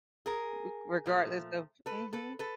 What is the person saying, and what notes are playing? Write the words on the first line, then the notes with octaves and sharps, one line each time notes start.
r regardless of mhm.
G#4 A#4
A#2 F3 A3
A4 B4
A4 B4
A4 B4